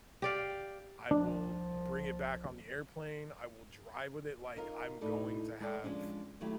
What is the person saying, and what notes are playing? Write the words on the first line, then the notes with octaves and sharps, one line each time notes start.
I will bring it back on the airplane, I will drive with it, like, I'm going to have
G4 D5 F5
C2 F3 D4
D#4 F4 A#4 C#5 D#5
A2 D#4 E4 A4 D5
G#3 G#4 A4 D5
F3 G#3 C#4 D4
D#3 F#3 A3 E4 G4